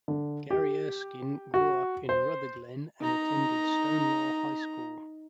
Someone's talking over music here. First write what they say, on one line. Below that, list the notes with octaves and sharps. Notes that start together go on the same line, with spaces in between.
Gary Erskine grew up in Rutherglen and attended Stonelaw High School.
D3
G4
F#4
C5
D#4 A#5